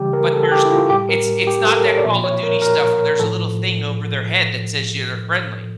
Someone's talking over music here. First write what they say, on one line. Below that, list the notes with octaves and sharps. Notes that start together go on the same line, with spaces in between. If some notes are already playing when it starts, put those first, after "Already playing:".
but there's i it's it's not that Call of Duty stuff where there's a little thing over their head, that says you're friendly.
Already playing: C#3 E3 G3 G4
A#4
A4
A4
G4
E4
F4
A2 G3 G4
A#4
G4
A4
A#4
C#5
D5
A#2 F3 E5
C#5
A#4
A#4
A2 F3 A4